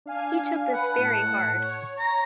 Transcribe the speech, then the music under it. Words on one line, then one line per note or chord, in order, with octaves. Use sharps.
He took this very hard.
D4 F5 G#5
B4 F#5
A2 A5
C#5
A#5